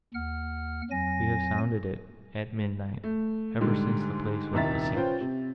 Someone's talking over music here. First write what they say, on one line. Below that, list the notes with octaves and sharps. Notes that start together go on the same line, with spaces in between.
We have sounded it, at midnight, ever since the place was besieged.'
D#2 F#5 F6
F2 F#3 G#5 A#6
A3
G#2 D3 G3 G#3
D#1 C2 D#3 E5 A#5 A6
C#4 F4 B4 C5 G5
C3